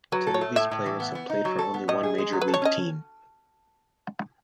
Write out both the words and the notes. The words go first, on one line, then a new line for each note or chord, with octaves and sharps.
Ten of these players have played for only one major league team.
F#3 B4
A4
C#5
A3
A2 E5
A2
E3
B3
B3
D#4
F#3
A4
B3
A2 D#5
G#4
G#3
F#3
B4
A4
C#5
C#4 D#5